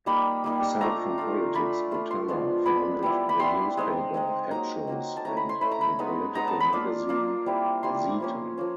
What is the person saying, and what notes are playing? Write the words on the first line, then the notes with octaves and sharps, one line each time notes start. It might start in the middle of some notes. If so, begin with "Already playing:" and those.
Aside from politics, Batalla founded the newspaper "Hechos" and the political magazine "Zeta".
G3 A#3 D#4 B5
G3 A#3 D#4
A3 D4 F4 A#5
A3 D4 F4
A3 D4 F4 B5
A3 D4 F4 C6
C6
F3 G#3 B3 D4
F3 G#3 B3 D4 B5
G3 B3 E4
B5
G3 B3 E4 C6
G#3 C4 D#4
G#3 C4 D#4
F#3 A#3 D#4 A#5
F#3 A#3 D#4
A5
A3 C#4 E4 A#5
B5
C6
A3 C#4 E4 B5
A#5
B5
G#3 B3 D#4
G#3 B3 D#4 A#5
A5
B5
A#3 D4 F4
A#3 D4 F4
G3 C4 E4
G3 C4 E4 C6
F3 A#3 C#4
F3 A#3 C#4